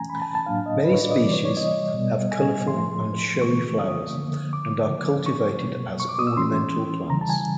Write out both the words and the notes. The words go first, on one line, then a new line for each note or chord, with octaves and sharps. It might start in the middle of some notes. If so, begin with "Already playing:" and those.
Many species have colorful and showy flowers and are cultivated as ornamental plants.
Already playing: E3 A3 C#4 G#5 A#5
B5
A5
A5
A2 F#3 A#3 D4 F5
D#5
B4
C#5
D5
D#5
C3 E3 G3 D5
C#5
C#5
D#5
B2 G3 B3
G#5
A2 F3 A3 C6
C#3 E3 A3 C4 C#6
D#6
D3 F3 A#3
D6
C#3 F3 A#3
C#6
B2 F#3 A#3
C#6
D6
D#6
E6
E3 G#3 C#4 C6
C#3 E3 G3 A#5
A5
G#5